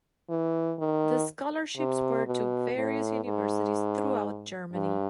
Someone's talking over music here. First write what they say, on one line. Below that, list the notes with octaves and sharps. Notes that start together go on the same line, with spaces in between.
The scholarships were to various universities throughout Germany.
E3
D#3
C3
B2
A2
G#2
G2